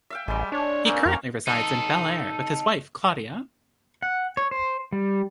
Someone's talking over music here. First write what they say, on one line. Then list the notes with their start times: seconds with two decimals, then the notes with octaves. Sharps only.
He currently resides in Bel Air with his wife Claudia.
0.10 E5 F5 G5
0.28 A1 G3 G#3 C6
0.52 D4 C#5
0.85 A#3 C4 C#4
1.05 F2 A#4
1.47 D#4 A4
4.02 F#5
4.37 C#5
4.51 C5
4.92 G3